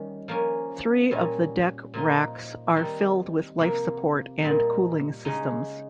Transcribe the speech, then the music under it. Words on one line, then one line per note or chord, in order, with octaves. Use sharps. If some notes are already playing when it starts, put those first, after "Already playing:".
Three of the deck racks are filled with life support and cooling systems.
Already playing: D#3 G3 C#4
F3 A#3 C#4
A#2 G3 C#4
A#2 F3 A#3 D#4
D#3 G3 C4 D#4
C3 F3 A#3
A#2 G3 A#3 D#4
C#3 G#3 D#4